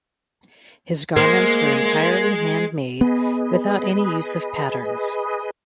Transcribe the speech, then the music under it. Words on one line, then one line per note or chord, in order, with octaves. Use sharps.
His garments were entirely handmade without any use of patterns.
G#3 A#3 C5
B3 G#4 B4 D#5